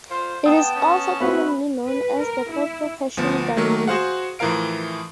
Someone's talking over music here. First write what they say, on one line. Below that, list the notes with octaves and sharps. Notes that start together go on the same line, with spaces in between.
It is also commonly known as the purple passion danio.
F4 C5 F5
B3 G5 A5 D#6
C#4
B3 C4 F#4 B4 E5 B5
B4
A#4
E4
D2 F3 B3
D#3 F#3 A3 A#3
F#4 G#4 C5 F5 F#5
A2 E3 F3 A#4 F5 D7